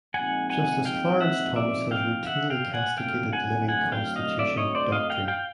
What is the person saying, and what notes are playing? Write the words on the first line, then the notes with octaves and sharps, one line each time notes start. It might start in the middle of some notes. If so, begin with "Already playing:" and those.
Justice Clarence Thomas has routinely castigated "living Constitution" doctrine.
A#2 F3 G#3 C4 D#4 F#5 G#5
F#5 G#5
F5 G5
E5 F#5
D5 E5
F5 G5
E5 F#5
F5 G5
F#5 G#5
F#2 D3 F#3 A3 C4 F5 G5
F#5 G#5
F#5 G#5
F5 G5
D#5 F5
D5 E5
C#5 D#5
C5 D5
D#5 F5
F5 G5
F5 G5